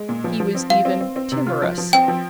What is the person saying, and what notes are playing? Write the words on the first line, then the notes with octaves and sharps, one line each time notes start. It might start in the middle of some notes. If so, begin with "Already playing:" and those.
He was even timorous.
Already playing: G#3
A#2
F3
F3
C4
F3 F5
C4
C4
C4
C3
F4
F3
F3
C4 G5
F3